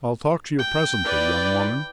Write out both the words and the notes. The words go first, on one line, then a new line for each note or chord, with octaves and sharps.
I'll talk to you presently, young woman.
G5
E4 B4 D5